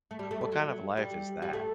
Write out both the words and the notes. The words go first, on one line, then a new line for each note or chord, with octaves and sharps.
What kind of life is that?
A3
G3
A3
G3
F#3
G3
G3
A3